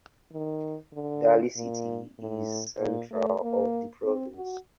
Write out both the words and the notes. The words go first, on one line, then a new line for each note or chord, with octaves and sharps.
Dali city is the centre of the province.
D#3
D3
A#2
A2
A#2
A3
A#3
C4
F#4